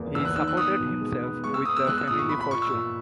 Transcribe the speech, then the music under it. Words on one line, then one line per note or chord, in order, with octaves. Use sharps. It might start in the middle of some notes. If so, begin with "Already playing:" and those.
He supported himself with the family fortune.
Already playing: E2 A#3
E2 E6
F#6
D#3 E6
F#6
B3 D#6
B2
G#3
B3
G#3 C#6
E6
B3 D#6
E6
G#3 F#6
E6
A#2 D#6
C#6
A#2 B5
B5
A#2 C#6
E6
A#2